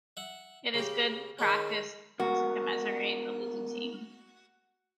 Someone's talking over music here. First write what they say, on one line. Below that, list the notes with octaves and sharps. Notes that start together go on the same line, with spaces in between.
It is good practice to commiserate the losing team.
E5 F#5
C#3 G4
D#3 G#3 C#4
G#3 B3 F#4 A#4